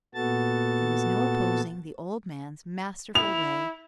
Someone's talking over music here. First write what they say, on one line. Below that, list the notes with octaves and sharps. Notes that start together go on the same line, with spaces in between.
There was no opposing the old man's masterful way.
A#2 B3 F#4 A4 A5 A6
E4 F7